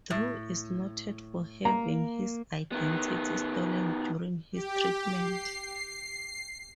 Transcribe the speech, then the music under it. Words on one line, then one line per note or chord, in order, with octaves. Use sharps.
Drew is noted for having his identity stolen during his treatment.
A2
A#3 A#5
D#3 B3
G4
C7